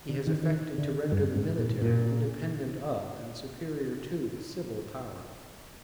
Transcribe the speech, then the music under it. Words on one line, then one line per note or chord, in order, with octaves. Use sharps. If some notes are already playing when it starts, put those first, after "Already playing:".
He has affected to render the Military independent of and superior to the Civil Power.
D3
D#3
D#3
D3
G2
G#2
A#2
A#2